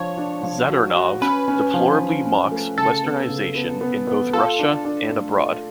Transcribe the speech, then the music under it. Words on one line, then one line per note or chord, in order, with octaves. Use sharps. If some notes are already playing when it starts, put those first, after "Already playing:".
Zadornov deplorably mocks westernization in both Russia and abroad.
Already playing: F3 D4 C#5
D4
F3
F#4
F#4
C#4 B4
C#4
F3
F3
C#4
A3
C#3 A4
B3
C#3
B3
B3
B3
F4 A4
D4
D4
A3
F4